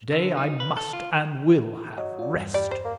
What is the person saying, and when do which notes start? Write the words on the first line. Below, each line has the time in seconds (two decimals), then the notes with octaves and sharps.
To-day I must and will have rest.
0.12 D3
0.37 D#4
0.60 B4
0.77 A4
0.93 F4
1.98 F#3 D#5
2.19 F4 D5
2.33 E2 G2
2.54 G3 D5
2.71 C5
2.85 A#3